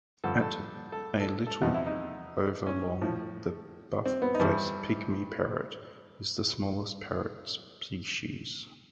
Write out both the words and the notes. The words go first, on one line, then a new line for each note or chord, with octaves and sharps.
At a little over long, the buff-faced pygmy parrot is the smallest parrot species.
G2 D3 F3 A4
A4
A4
A4
A4
E2 C3 F3 D#4
E4
D#4
C#4
A2 F3
C4
B3
D#4
G2 E3 G3 D4